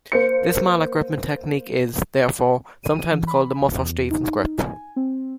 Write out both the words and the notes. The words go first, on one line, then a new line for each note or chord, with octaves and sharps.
This mallet-gripping technique is, therefore, sometimes called the Musser-Stevens grip.
A#3 C5 C#7
D#7
E3
B5
B1
E2
D#4
G#5
C4